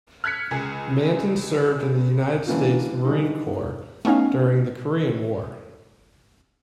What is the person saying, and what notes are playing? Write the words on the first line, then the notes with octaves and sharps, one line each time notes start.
Manton served in the United States Marine Corps during the Korean War.
F6 F#6 G#6 B6 C#7
C#2 G#4 G#5
D3 E3 A#3 C#4 F4
D3 E3 G3 D#4
A3 B3 C#4 D#4 F5